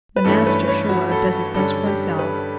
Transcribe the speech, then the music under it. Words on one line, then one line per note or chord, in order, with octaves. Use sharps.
The master, sure, does his best for himself!
B4
G2 E3 A3 C#4 A4
B4
C#5
F#4
A4
G2 D3 G3 C#4 A4
G4
B4